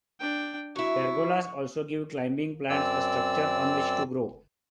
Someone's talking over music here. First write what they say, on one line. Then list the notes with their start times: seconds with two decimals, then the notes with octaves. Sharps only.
Pergolas also give climbing plants a structure on which to grow.
0.19 D4 G5
0.76 F#3 E4 C#6
2.70 F#2 C4 D5 E6